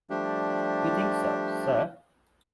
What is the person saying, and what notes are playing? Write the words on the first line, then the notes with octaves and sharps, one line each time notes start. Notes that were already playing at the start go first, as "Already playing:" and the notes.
You think so, sir?
F3 G3 A3 D4 G4